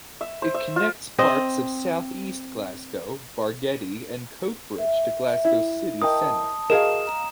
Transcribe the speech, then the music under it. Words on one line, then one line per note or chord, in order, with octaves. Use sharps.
It connects parts of south east Glasgow, Bargeddie and Coatbridge to Glasgow city centre.
E5
C5
E5
F4
C4 D#5
E5
E4
A#4 D#5 G5 A5 D#6
F#4 G#4 A#4 D#5 F5 E7
A#5